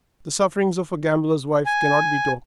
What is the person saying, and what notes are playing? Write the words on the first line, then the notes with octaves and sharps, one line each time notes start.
The sufferings of a gambler's wife cannot be told.
G#5